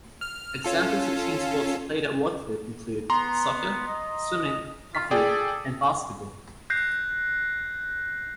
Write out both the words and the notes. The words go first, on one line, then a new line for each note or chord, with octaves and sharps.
Examples of team sports played at Waterford include: soccer, swimming, hockey and basketball.
F6
C#4 F4 A4
B3 A#5 C6
D#5
F4 B6
G#4 A4 D5 G5
F#6 G6 A#6 C7